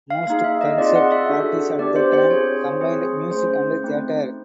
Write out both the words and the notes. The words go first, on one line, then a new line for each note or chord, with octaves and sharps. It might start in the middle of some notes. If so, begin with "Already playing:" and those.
Most concert parties at the time combined music and theatre.
F5
A#3 D#4 G#4 F5
E5
D#5
C4 F4 G#4 D5
F#5
E5
D4 F#4 A4
B3 D4 G4 D5
C5
C5
C4 F4 G#4 C#5
C4 F4 G#4
A3 C#4 F4 C5
A3 C4 D#4